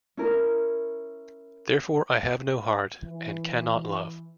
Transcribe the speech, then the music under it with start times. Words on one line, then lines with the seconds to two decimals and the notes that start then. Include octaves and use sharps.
Therefore I have no heart, and cannot love.
0.17 C#4 E4 A#4
3.03 E3